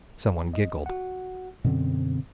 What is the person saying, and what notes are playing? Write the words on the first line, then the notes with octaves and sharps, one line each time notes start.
Some one giggled.
D#5
F#4 F#5
F#2 B2 D3 C4